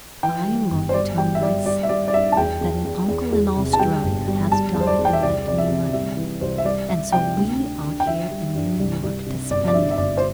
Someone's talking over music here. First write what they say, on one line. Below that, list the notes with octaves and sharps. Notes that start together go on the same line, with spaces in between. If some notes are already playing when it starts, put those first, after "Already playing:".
I am going to tell myself that an uncle in Australia has died and left me money, and so we are here in New York to spend it.
E3 G5
G3
G1
C5
G3 D5
G3 G5
E5
G3 D5
G3 D5
E5
G3 D5
D5
G2 E5
A5
E2 G5
E2
E2
E2
E2
C3
A5
G3 G5
G1
G3
G3 A5
E2
C5
D5
E2
G5
E5
C2 D5
C3 D5
E5
C3
G3 E5
E3
C2 C5
E5
G3 D5
G3 E5
C3 G5
D2
D3
D3
G5
D3 E5
G3
G2
C2
C2
C3
G1 D5
D5
D3 E5
E5
G1 D5
C5